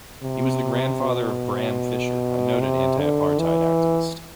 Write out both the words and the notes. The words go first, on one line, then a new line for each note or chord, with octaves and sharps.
He was the grandfather of Bram Fischer, a noted anti-apartheid activist.
C3
B2
C3
D3
E3